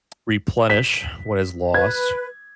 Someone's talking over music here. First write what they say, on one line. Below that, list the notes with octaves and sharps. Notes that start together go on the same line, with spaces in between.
replenish what is lost,
B6
B4 G#6